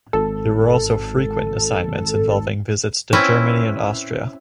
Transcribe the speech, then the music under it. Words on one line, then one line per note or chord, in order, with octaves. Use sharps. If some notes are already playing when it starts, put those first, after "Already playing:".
There were also frequent assignments involving visits to Germany and Austria.
G#1 A4
C4 C#4 E4 B4